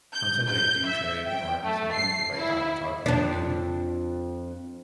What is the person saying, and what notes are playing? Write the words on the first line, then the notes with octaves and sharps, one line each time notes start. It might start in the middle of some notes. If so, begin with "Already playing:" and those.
sometimes I do try to ignore him. Sometimes if I have to talk to him, I do.
G6
G6
E5
G5
A3
C7
E4
F2 D4